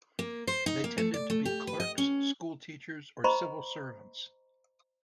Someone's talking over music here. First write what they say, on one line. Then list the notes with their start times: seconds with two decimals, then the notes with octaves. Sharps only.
They tended to be clerks, school teachers or civil servants.
0.19 A#3
0.47 C5
0.66 D#4
0.84 A#3
0.98 A3
1.14 D5
1.30 A3
1.45 G4
1.67 B4
1.80 D#5
1.98 C#4
3.24 C5 D#5 A#5 B5 C#6